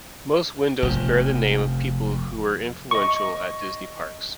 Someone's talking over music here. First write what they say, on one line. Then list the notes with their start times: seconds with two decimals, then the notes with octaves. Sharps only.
Most windows bear the name of people who were influential at Disney parks.
0.83 F1 F2
2.91 D#5 C#6